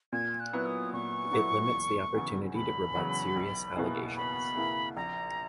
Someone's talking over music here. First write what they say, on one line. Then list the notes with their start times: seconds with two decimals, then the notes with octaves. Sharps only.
It limits the opportunity to rebut serious allegations.
0.13 A#2 G#6
0.40 F#6
0.53 F#3 B3 E4
0.66 D#6
0.93 A#2 C#6
1.33 F#3 B3 E4
1.74 E1
2.14 E2 C#3 F#3
2.55 E1 B5
2.95 E2 C#3 F#3
3.35 B1
3.76 B2 A#3 E4 G#4
4.16 B1 B5
4.56 B2 A#3 E4 G#4
4.96 A#1 A#5